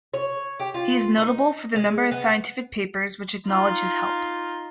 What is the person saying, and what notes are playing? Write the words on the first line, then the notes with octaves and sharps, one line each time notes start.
He is notable for the number of scientific papers which acknowledge his help.
C#5
G4
F4
D#4
G#3
B3
D#4 F4